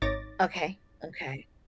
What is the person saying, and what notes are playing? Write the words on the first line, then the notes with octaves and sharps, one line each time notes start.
Okay, okay.
G#1 D#4 C#5 D6 A6 A#6